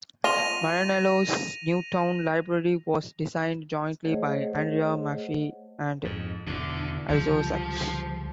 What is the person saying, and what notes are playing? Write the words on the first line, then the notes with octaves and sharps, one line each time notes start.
Maranello's new town library was designed jointly by Andrea Maffei and Isozaki.
F4 A#6 D#7 F7
A3 G#4 C5 C#5 D#5 F#5
F2 G#2
E2 B2 D3
C#2 D3 F3 G3